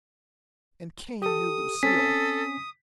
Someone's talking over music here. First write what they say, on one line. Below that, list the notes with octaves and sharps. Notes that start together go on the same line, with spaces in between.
And Cain knew Lucille.
G4 A4 D#6
C4 C#4 A4 G#5 B6